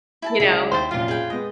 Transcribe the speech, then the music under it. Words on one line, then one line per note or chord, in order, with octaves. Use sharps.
you know?
E4 G#5 A5
C#2 E4 G#4 B6
D#2 C5 G5 A6
F1 F#2 A#2 F4 F5
G#4 B4 G5
G#3 B3 D#5